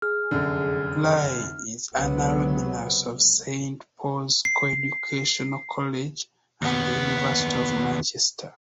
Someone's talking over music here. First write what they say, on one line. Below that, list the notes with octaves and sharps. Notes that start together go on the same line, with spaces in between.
Li is an alumnus of Saint Paul's Co-educational College and the University of Manchester.
G#4 F6
F1 F#2 D3
C#2 C3 F#3 B3
C7
D#2 B3